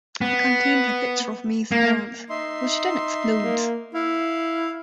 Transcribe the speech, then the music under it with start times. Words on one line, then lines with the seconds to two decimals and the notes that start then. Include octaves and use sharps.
It contains a picture of May's parents, which then explodes.
0.21 B3
1.72 A#3
2.30 D#4 E5 C6
3.42 A#3
3.94 E4 F5